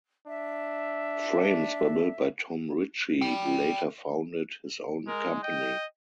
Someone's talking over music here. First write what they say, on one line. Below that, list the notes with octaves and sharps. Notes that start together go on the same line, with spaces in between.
Frames were built by Tom Ritchey, who later founded his own company.
D4 E5
G5 B5
G#3 A#4
D#5 G5